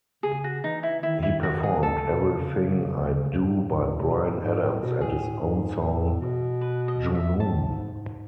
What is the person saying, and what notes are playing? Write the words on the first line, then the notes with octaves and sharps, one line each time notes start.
He performed Everything I Do by Bryan Adams and his own song "Junoon".
C#3 G#4
F#4
E3 D#4
E4
D#3 E4
E4
F#4
G#4
B2
C#3 A4
B2
C#3
A2
A2
B2
A2
G#2
A2
B2
A2 G#4
G#2
A2
B2
B4
D#5
E5
A2 A5
G#2
G#2